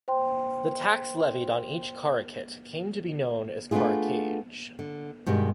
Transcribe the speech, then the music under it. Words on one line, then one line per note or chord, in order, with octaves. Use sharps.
The tax levied on each carucate came to be known as "carucage".
C5 G5 C6
A3 B3 D4 D#4 F4 G#4
D3
G2 B2 D#3 G3 G#3